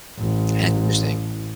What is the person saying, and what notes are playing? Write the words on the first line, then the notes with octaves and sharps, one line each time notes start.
That's interesting.
A1